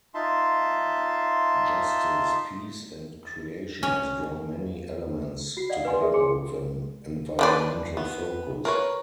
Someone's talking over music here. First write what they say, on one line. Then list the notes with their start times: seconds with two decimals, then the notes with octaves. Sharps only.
Justice, Peace and Creation has drawn many elements together with an environmental focus.
0.14 D#4 F4 E5 A5 C6
3.83 C#4
5.57 F#4 C7
5.70 D5 D#5 F5 F#5
5.85 B4 D5 D#5 F#5 G#5 C6
6.01 G#4 A#4 E5
6.14 G#4 G#5 C6 D6 C#7
7.39 D#3 E3 D4 B4 D5
7.97 B3
8.65 A#4 B4 C#5